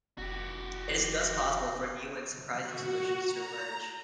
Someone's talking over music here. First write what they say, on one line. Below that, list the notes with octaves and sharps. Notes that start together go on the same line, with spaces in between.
It is thus possible for new and surprising solutions to emerge.
F1 F#4 G4
F#4
A#5